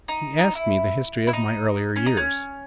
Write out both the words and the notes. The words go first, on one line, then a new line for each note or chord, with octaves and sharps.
He asked me the history of my earlier years.
D#4
D#4
E4
E4
D#4
C#4
D#4
C#4